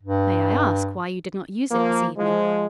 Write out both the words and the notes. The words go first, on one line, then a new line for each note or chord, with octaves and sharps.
"May I ask why you did not use it this evening?"
G2
F3 A#3
F3 G#3